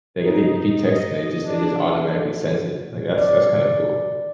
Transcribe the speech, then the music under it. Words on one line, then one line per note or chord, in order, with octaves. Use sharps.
like, if they if you text them, they just it just automatically sends it, like, that's that's kinda cool,
D#4
D#5
D4
D3
D5